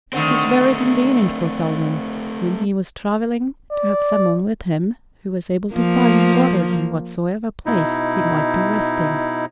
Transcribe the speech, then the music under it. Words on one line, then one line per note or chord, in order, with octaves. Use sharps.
It was very convenient for Solomon, when he was traveling, to have some one with him who was able to find water in whatsoever place he might be resting.
D3 D#3 A3 C4
D5
F3 A#3
B2 D#4 E4